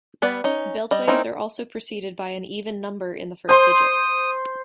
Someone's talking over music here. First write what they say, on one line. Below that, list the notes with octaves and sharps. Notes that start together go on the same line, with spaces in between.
Beltways are also preceded by an even number in the first digit.
G3 B3 B4 D5
C#4 D#4
G3 D#5
A#3 C4 C#4 D#4 E4
C5 C6 D#6